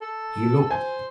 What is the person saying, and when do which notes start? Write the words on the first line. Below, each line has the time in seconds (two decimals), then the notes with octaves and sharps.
He looked.
0.02 A4
0.71 C5 G#5